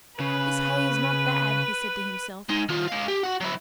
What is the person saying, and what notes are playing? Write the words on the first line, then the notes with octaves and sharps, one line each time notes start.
"This hay is not bad," he said to himself.
C#3 B4
G#3 D#4
D#3 F4
G#3 F5
G4
F#4 F#5
F#3 E4